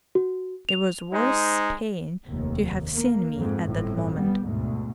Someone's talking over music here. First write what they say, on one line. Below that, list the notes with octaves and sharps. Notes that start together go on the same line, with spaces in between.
It was worth paying to have seen me at that moment.
F#4
F7
G#3 D#4 C5
F1 D#2
A#3
F2 G#2
G1 F2 A2
G3 B3
D2 G#2 B2